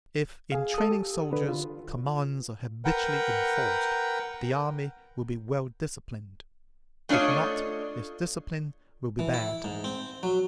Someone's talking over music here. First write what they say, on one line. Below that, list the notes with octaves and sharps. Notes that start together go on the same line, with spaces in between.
If in training soldiers commands are habitually enforced, the army will be well-disciplined; if not, its discipline will be bad.
G#4 F5
A4 D#6
G4
D3 B4
F4
A#4 B4 F#5 G5
A3 D4 F4 C#5 D#5
E3
E4
G#2
C4
F#3